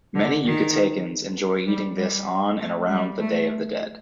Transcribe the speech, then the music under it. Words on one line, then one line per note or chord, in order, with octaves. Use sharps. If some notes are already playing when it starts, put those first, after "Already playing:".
Many Yucatecans enjoy eating this on and around the Day of the Dead.
D3
D#3
G3
G3
A3
G3
A3